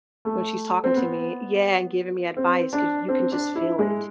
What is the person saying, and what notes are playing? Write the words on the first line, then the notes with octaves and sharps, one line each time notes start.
when she's talking to me Yeah, and giving me advice 'cause you can just feel it,
A3
C4
B3
C4
D4
C4
D4
E4
G#3